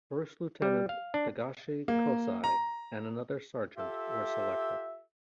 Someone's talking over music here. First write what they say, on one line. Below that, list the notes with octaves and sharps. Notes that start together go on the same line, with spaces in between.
First Lieutenant Takeshi Kosai and another sergeant were selected.
G3
F5
D4
A#3
A#5
F4 G4 A4 E5